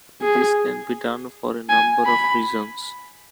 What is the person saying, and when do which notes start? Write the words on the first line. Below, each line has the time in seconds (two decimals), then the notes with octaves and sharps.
This can be done for a number of reasons.
0.22 G#4
1.70 G#5
2.06 B5